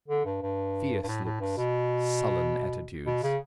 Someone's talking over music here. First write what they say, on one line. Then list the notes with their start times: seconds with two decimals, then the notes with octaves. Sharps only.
Fierce looks, sullen attitudes.
0.08 D3
0.25 G2
0.42 G2
1.03 G2
1.08 A2
1.25 A2
1.41 G2
1.58 B2
3.06 B2
3.23 C#3